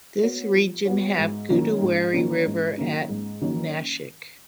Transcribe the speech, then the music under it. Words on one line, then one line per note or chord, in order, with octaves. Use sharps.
This region have Godawari river at Nashik.
B3 F#4 C#5
F3
B3 F#4 C#5
G#2
D#3 F#3 A#3 C#4
G#2
D#3 F#3 A#3 C#4
G#2
D#3 F#3 A#3 C#4
G#2
D#3 F#3 A#3 C#4